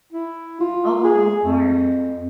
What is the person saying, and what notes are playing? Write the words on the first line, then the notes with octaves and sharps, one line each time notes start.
Oh wow, what part?
E4
F4
G#4
F2